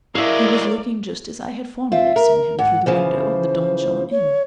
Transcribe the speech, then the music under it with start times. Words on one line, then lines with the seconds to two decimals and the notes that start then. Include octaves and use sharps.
He was looking just as I had formerly seen him through the window of the Donjon Inn.
0.15 F#3 G#3 E4 A#4 D5 E5 F5
1.92 C4 F4 E5
2.16 A#4
2.59 G#2 F#5
2.86 C#3 E3 F3 C5
4.11 C#5